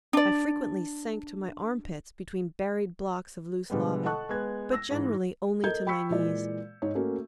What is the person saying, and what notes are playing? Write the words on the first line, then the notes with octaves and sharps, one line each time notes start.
I frequently sank to my armpits between buried blocks of loose lava, but generally only to my knees.
D4 D5
B2 D3 G3 G#3 B3
A4 D#5 F#5 A5 C#6 F#6
G#3 B3 G#6
E6 A#6
G#2 E3
A4 A#4 D#5 G6 G#6
G5 B5 C#6 E6 B6 C#7
A#2 E3 G#3 D5
G#2 C#5
A3 A#3 C#4 F#4